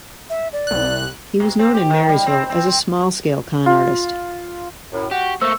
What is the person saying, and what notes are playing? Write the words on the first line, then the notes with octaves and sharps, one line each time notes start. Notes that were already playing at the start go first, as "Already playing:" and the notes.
He was known in Marysville as a small-scale con artist.
E5
D5
C2 F#6
B2
C4
G4
D#3
G3
C4
C4
C4
F4
F#2 A2
F#4 G4
A3 A#3 C5 C#6 E6